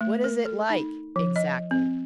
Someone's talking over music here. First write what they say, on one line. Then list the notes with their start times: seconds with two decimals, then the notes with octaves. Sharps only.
"What is it like--exactly?"
0.01 A3
0.24 A#4
0.46 A4
0.70 D#4
1.16 F3
1.36 D#5
1.71 C4